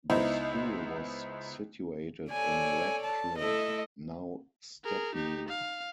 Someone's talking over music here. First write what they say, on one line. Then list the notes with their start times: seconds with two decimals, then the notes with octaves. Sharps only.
The school was situated in Ratcliff, now Stepney.
0.10 C#2 B3 D#4 E4 C5
2.32 A4 C#5 D5 G#5
3.04 A5
3.38 A3 E4 A4 D#5
4.84 G#4 A#4
5.14 D#4 G4
5.48 F5